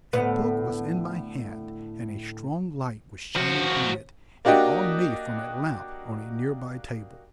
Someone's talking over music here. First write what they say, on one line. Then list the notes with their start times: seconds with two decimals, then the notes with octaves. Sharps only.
A book was in my hand and a strong light was shining on it and on me from a lamp on a near-by table.
0.13 D2 A2 B3
3.36 F3 F#4
4.45 A#3 D4 F#4 G4 D#5 G5